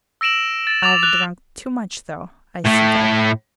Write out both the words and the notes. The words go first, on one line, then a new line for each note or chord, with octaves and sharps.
I've drunk too much though, I see that.
E6 A#6 D7 E7 F#7
A6 D7
D6 A6 F7
F#6 F7 G7
A2 A3